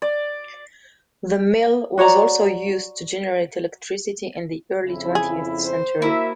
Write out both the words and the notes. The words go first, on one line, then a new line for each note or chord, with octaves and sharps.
The mill was also used to generate electricity in the early twentieth century.
D5
F#4 C#5 D5 A#5
F2 C#3 E4
G#4
C5
A#3 E4 F#4 A#4 E5